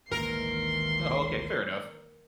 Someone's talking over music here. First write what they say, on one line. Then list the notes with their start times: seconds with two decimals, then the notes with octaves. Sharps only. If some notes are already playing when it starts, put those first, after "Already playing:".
Oh, okay. Fair enough.
0.12 G#1 D2 A#2 D#3 E3 A#3 A#4 C6